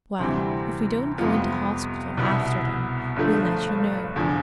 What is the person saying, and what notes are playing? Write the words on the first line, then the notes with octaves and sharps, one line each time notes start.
"Well, if we don't go into hospital after them, we'll let you know."
D2 C3 E3 G3 C4
F2 C3 G3 B3 F4
C2 B2 B3 E4
G1 G2 F3 A3
F1 E2 D3 F3